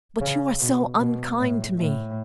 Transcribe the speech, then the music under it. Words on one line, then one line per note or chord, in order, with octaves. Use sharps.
"But you are so unkind to me!"
C#3
B2
B2
A2
A2